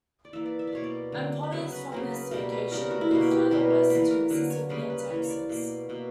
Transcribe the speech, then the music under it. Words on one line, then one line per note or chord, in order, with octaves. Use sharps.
And potters from this location moved further West to Mississippi and Texas.
D5
E3 A#3 E5
D5
E5
D5
B2 A#3 C#5
D5
D3 F#3 A#3
B4
C#3 F#3 B3 C#5
B4
C#3 F#3 A#3 A#4
B4
B2 G3 A#3 A#4
B4
C#3 G3 B3 A#4
A#4
F#4
E4
B2 A#3 F#4
A#4
G4
B2 G3 B3 A#4
C#5
E3 A#3 B4
A#4
D3 F#3 A#3 B4
C#5
C#3 G3 A#3 B4
B4
B4
E3 A#3 C#5
C#5
D5
B2 A#3
B2 A#3